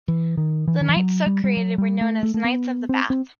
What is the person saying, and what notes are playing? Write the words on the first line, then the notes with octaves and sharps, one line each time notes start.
The knights so created were known as "Knights of the Bath".
E3
D#3
E3
D#3
E3
F#3
G3
G3
F#3
G3
A3
A3
A3
B3
C4
C4